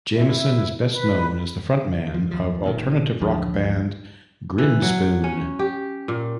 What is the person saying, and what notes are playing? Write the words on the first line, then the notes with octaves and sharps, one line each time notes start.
Jamieson is best known as the front man of alternative rock band Grinspoon.
E4
B4
F3
D#2 F3
E1 A#2 D#3
A1 D2 F3 D4
E3
F#3
C#4
G4
A#2